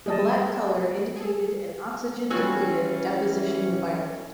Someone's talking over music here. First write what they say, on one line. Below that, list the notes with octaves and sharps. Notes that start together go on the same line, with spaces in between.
The black color indicated an oxygen depleted deposition environment.
G3 A#3 G#4 D#5 A5
G#4 A4
E3 G3 C#4 F4 F#4 G#5 E6